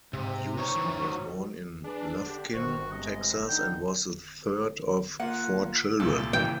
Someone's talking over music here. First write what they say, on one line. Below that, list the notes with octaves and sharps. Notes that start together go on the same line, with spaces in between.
Houston was born in Lufkin, Texas and was the third of four children.
G#2 C3
D#4 C5 C#5 C#6
E3
F#3
D4 G#4 B4
D3 G4
G1 D#3 F#4 C5
C3 G#3 D#5
D3 D#4 G5
A#3 F4 F#5
C2 A#2 A4
A#2 C#3 E3 G5